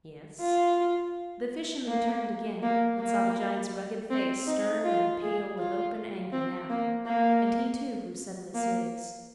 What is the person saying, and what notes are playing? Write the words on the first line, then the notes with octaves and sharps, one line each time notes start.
"Yes." The fisherman turned again and saw the giant's rugged face stern and pale with open anger now, and he, too, grew suddenly serious.
F4
A#3
A#3
A#3
C4
D#4
F4
G#4
F4
C4
A#3
A#3
A#3